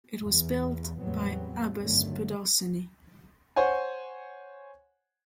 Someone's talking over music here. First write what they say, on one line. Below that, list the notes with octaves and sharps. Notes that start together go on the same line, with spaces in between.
It was built by Abbas Pedarsani.
E2
E2 A2 F#3 G3 B3 C4
G1 D3 D#3 F#3 A3
C5 C#5 F#5 G#5